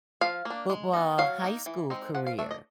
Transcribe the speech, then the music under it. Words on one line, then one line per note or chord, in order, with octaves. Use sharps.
football high school career?
F3 F5
A#3
D4
G#3
B3 D#4
F#3 F5
A#3 D#4
E3
G#3 C4 D#4
F3 F#5
F5
A3 D4 E5
D#5